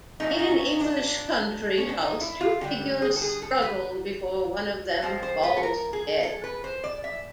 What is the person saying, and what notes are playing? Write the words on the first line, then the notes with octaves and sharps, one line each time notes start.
In an English country house two figures struggle before one of them falls dead.
A#2 F#3 A3 D#4
D4
D#4
C#4
D4
C#4
D4
D#4
E4
F4
D3 G3 G4
G#4
A4
G#4
A4
B4
A2 F3 G#3 C5
C5
B4
A4
A#4
G#4
A4
B4
C5
D5
E5